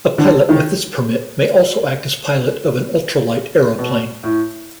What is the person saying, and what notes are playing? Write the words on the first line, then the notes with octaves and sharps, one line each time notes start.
A pilot with this permit may also act as pilot of an ultra-light aeroplane.
D3
D#3
B2
A2